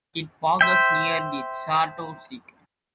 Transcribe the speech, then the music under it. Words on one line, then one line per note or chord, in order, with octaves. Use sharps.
It passes near the Chateau Ste.
C5 E5 G5